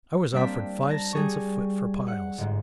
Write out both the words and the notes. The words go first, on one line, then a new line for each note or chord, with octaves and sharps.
I was offered five cents a foot for piles.
G3 A#3 C4 D4 B6
A5 A#6
G3 G#4 C#6
F#5
G1 G#2